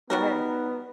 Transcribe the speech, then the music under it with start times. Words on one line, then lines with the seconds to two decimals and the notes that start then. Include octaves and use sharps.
Go ahead.
0.10 G3 B3 D#4 F#4 A#4